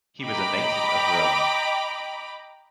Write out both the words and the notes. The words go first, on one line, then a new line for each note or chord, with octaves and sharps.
He was a native of Rome.
D#5 G5 A#5 B5 D6